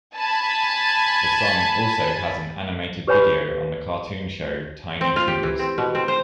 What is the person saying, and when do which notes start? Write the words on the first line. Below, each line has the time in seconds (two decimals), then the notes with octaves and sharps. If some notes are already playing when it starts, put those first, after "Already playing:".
The song also has an animated video on the cartoon show Tiny Toons.
0.16 G#5 A5 B5
3.07 G4 B4 C#5 G#5 B5
5.01 C4
5.16 F4
5.28 G4
5.43 E3
5.59 C4
5.78 B2
5.95 C4
6.08 C5